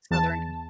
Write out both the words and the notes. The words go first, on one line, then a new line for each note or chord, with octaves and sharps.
Southern C
E2 A5